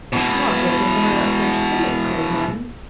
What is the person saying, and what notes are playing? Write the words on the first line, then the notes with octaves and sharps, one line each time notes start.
"You talk like a worn-out French cynic," cried Mattie.
B2 E3